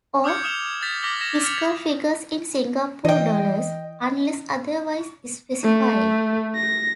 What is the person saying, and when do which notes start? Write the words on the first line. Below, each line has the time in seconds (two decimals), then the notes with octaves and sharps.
All fiscal figures in Singapore dollars unless otherwise specified.
0.24 D6 D#6 F6 G6 G#6 C#7
0.44 D#6 F6 C#7 E7 F7 G7
0.81 D#6 G6 A6 B6 F7
1.03 D6 F6 A#6 B6 F#7 G7
1.21 G#6 A#6 E7
1.44 F6 G#6 A6 C#7 F7 F#7
3.05 E3 D#5 G5
5.64 A3
6.56 A#6